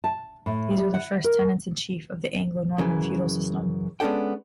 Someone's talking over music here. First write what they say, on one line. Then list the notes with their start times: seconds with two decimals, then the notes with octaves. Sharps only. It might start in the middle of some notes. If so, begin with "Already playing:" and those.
These were the first tenants-in-chief of the Anglo-Norman feudal system.
0.04 A5
0.46 A2
0.77 G3
0.94 F#5
1.24 A#4
2.78 F#2 C#3 E3
4.00 G#3 B3 C#4 D4 A4 G5